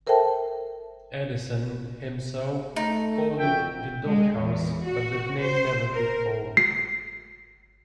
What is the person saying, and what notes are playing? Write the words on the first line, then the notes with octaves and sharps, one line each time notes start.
Edison himself called it "The Doghouse", but that name never took hold.
A4 A#4 C5 E5 G5 A5
A3 D#4
F2 F#4 E5 G5
G#3
E2
F#4
C5
A#4
C7